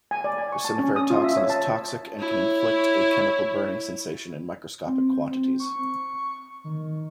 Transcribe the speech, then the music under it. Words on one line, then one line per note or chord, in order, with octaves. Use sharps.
Resiniferatoxin is toxic and can inflict a chemical burning sensation in microscopic quantities.
G#5
D5
G#5
C#6
A5
C#4
D#6
F4
E5
C#5
A5
E4 C#5
C4
C4
C#6
D#3